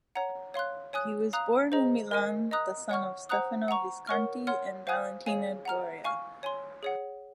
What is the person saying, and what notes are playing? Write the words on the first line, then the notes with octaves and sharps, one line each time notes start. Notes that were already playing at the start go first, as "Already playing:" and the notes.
He was born in Milan, the son of Stefano Visconti and Valentina Doria.
C#5 F#5 A#5
C#5 F5 C6 F#6
C#5 G#5 D#6 F#6
F5 A#5 D#6 F#6
G#4 C5 D#5 A#5
A#4 D#5 G#5
D#5 A#5 D#6 F#6
C#5 F#5 C#6 F6
C5 F#5 A#5 D#6 F#6
F#5 A#5 C#6
A#4 C#5 F#5 C#6 F6
C#5 F#5 C6 F6
C5 F5 G#5 D#6 F#6
G#4 C#5 F5 G#5
F#5 A#5 F6
F5 G#5 C#6 F6
C#5 G#5 C6
G#4 C#5 F#5